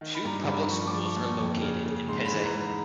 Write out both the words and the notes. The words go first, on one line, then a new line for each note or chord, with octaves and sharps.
Two public schools are located in Peize.
D#3
B5
G2 A#5
G2 B5
F3 C#6
C#6
D6
F3
C#6
A#2
C#6
F2
C#3
C#3
G#2 C6
B5
E3
A#5
G#2
A#5